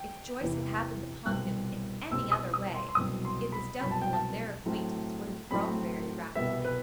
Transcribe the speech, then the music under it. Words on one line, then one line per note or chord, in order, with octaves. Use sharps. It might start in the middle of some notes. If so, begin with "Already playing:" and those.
If Joyce had happened upon him in any other way, it is doubtful if their acquaintance would have grown very rapidly.
Already playing: G5
E2 C3 E3
C2 B2 G3 C4 F#6
C2 B2 G3 C4 E6
D#6
D#6
C6
C6
C2 B2 F#3 C4 D#6
C6
B5
C2 B2 F#3 C4 B5
A5
G5
A5
A2 F#3 A3 C4
A2 F#3 A3 C4 B5
C2 B2 G3 B3 E5
B4